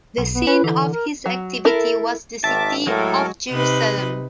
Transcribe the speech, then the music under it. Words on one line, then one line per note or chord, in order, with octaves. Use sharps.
The scene of his activity was the city of Jerusalem.
B1
B3
C#4 B4
D3 E3
A#4
F#3
E4 A4 A#4
G#1 D#3 E5 A5 D6
A2 F#3 G#3 F#4 A4 A#4
C3 D#4 B4